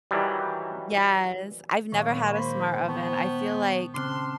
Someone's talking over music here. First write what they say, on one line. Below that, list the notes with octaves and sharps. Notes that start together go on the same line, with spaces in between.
Yes, I've never had a smart oven. I feel like
D#3 E3 F#3 G3
A#2 D#3 F#3 G#3 F5 C#6
A#3 C5 B5 C6 B6
B3 G5 A5 C#6
C#3 C4 A5 C6 D6 F6 F#6